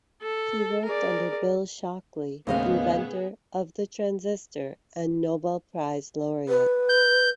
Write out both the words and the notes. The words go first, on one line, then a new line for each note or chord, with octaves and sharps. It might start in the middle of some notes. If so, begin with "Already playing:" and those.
He worked under Bill Shockley, inventor of the transistor and Nobel Prize laureate.
A4
G#4 A#4 D5
D#2 A2 C#3 B3 C4 G#4 D#5 F5
B4
G6